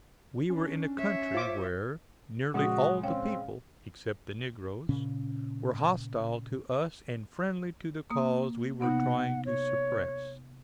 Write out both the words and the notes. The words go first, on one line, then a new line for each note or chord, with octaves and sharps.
We were in a country where nearly all the people, except the negroes, were hostile to us and friendly to the cause we were trying to suppress.
C#4 D4
C#5 E5
F4 C5 D6
A#2 C#3 F3 G#3 C#4 F#4 F#5 D#6
C4 C#4 C#5 F5 G5
A#2 C#3 C#4
A#3 D#6
C3 B3 D#4 F#5
C#5